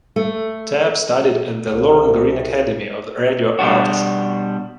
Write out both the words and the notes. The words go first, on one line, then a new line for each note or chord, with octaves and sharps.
Tapp studied at the Lorne Greene Academy of Radio Arts.
A3
C2
B2 G3 D4 F#4